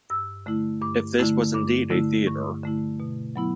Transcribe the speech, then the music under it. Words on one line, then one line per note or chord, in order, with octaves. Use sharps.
If this was indeed a theatre.
G2 E6
D3 A3 E4
G2 D6
D3 A3 E4
G2 D6
D3 A3 E4
G2 C#6
D3 A3 E4
B2
F#3 B3 E4